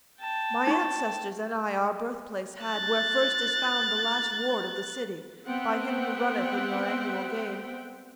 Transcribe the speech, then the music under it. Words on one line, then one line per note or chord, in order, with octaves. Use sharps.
My ancestors and I our birthplace had Where first is found the last ward of the city By him who runneth in your annual game.
G5 A5
D#4 C#6
F#6 A6
B3 C4 C5 E5 F#5 G5